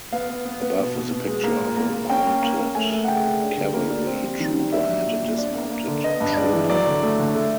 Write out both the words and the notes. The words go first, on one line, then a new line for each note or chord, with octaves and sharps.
Above is a picture of a mounted cavalry trooper and a dismounted trooper.
B3 F5
B3
B3
B3
B2
B2
B2
G#3
A#3
A#2
A#3
A#3
C#4 G5
A#3
A#3
A#3
A3 G#5
A3
F#5
C#3 G5
C#3
D4
D3
A#3
D4
C4
G3
D#3
G3
D4 E5
F#3
A#2
A#2
D4
A#3
A#3
D3
B3 D#5
G2
G#3 D5
E3
F#3 D5
D3
A3
D3
A3